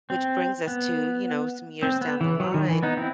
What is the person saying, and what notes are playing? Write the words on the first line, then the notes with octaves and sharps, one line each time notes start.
which brings us to, you know, some years down the line
C4
B3
C4
B3
E3
F#3
D#3
E3
B3 D#4
C4 E4